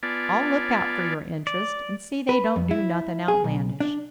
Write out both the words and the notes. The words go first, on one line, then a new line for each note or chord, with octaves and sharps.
I'll look out for your interest and see they don't do nothing outlandish.
B3 F4 D5 G#5 A5
D5
B4
F2
E4
G#4
B1
D4